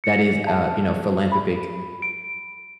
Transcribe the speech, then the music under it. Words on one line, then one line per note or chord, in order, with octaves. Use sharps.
that is, uh, you know, philanthropic,
C#7
A5
B5
D7